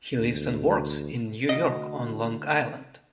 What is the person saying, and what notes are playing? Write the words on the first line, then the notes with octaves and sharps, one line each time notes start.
He lives and works in New York on Long Island.
D2
D2 D#5